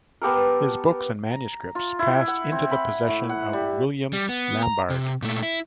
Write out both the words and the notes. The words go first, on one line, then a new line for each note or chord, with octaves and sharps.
His books and manuscripts passed into the possession of William Lambarde.
B3 G4 A4 A#4
A#5
F4
E4
F#5
C4
B5
A2
F#5
G3
G3
B3
A#5
C3
A#2 A3
E4